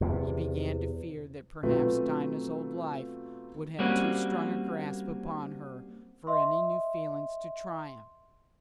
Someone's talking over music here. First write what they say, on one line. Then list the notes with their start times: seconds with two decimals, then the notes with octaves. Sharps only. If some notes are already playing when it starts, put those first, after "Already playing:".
He began to fear that perhaps Dinah's old life would have too strong a grasp upon her for any new feeling to triumph.
0.01 E2 C3
1.63 B2 F#3 A3 C4 F4 B4
3.79 G3 A#3 C4 C#4 F#4
6.27 D#5 E5 C6